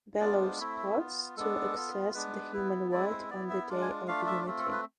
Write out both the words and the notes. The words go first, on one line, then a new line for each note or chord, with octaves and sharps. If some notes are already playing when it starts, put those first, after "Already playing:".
Belos plots to access the human world on the Day of Unity.
G#3 B3 D4 F4 D5
C5
A3 C4 E4
B3 F4
G#3 B3 D4 A4
B3 F4
G#3 B3 D4 B4
B3 E4
G#3 C4 E4 D5
C5
B3 E4 D5
E5
G#3 D4 F4
G#5
A3 D4 F4 F5
E5
A3 C4 F4
A4
B4